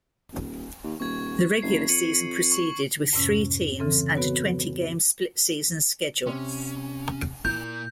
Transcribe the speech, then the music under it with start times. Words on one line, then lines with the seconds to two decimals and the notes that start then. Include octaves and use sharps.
The regular season proceeded with three teams and a twenty-game split-season schedule.
0.32 D#1
0.83 D#2
1.00 D#1 C#6 G#6
1.62 F#1 C7
1.89 F2 C#7 D#7 F#7
2.52 C#6 F#7
3.13 F2 G#2 C3 C#4
3.79 C#3 E3 C4 A4
4.15 B3 F#4 B4 C#5
6.27 C3 C#4
7.45 A#2 E4 A#4 G6